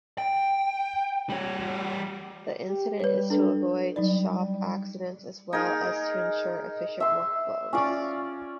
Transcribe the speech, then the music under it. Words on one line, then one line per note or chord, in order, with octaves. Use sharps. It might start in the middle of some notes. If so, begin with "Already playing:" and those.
The intent is to avoid shop-accidents as well as to ensure efficient work flows.
G5
G3 C#5
G4
G3 B4 C#5
D4 A4 B4
F#3 G3 D#4 D5
D#4 G#4 A#4
E5 C6
C#4 F4 D5